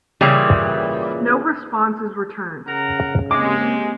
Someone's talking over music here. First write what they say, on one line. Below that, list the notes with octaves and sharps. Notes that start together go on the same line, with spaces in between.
No response is returned.
A#2 C#3 E3 G3
C#3 A#4 F#5 A#5
G#3 A#3 C4 G4 D6